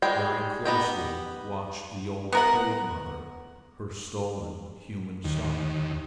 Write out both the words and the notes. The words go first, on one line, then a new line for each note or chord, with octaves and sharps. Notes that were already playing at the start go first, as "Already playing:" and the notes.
Very closely watched the old toad mother her stolen human son.
G3 G#3 G5
B3 D#4 G4
B3 A#4 F#5
D#2